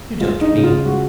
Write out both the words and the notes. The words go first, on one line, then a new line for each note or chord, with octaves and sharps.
"You don't mean--?"
G#3 F4
D#4
C#3
F4
G#3 F#4